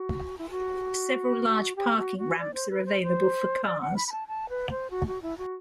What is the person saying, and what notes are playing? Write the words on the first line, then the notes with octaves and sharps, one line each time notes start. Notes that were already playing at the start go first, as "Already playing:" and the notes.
Several large parking ramps are available for cars.
Already playing: F#4
E4
F#4
G4
F#4
F#4
D5
C5
B4
C5
C5
D5
F#5
B5
B5
A5
A5
B4
C5
F#4
F#4
E4
F#4